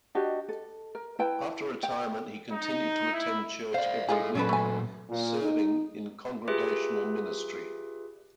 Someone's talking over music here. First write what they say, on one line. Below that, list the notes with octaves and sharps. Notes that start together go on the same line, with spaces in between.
After retirement, he continued to attend church every week, serving in congregational ministry.
D4 F#4 G4 D#5
A4
A#4
E4 B4 G5 A5
G5
D#4
E4
C5 D5 F5
G#3 E4 F4 G#4 A4
A#2 F#3 C#4 A4 B4
A3 G#5
A#2
D#4
F4 G4 G#4 B4 E5